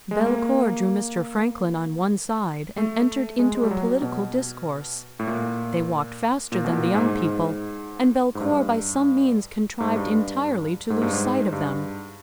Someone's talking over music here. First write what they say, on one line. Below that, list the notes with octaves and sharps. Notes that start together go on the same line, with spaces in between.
Belcour drew Mr. Franklin on one side and entered into a political discourse: they walked faster than the young people, and Belcour by some means contrived entirely to lose sight of them.
G#3
A3
A#3
A3
G#3
G#3
G3
F#3
B2
A2
A#2
A#2
B2
A#2
G#2
G#2
G#2
G2
G#2
G2
G2
G#2
G2
G#2
G2